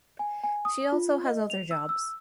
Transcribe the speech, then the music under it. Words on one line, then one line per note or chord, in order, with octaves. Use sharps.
She also has other jobs.
G#5
G#5
D#6
F4
D#5
F7
E6
E6